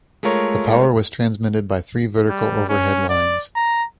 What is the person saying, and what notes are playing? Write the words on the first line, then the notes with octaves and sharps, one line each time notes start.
The power was transmitted by three vertical overhead lines.
G#3 A3 F4 A#4 C#5
G3
C#4
D5
A#5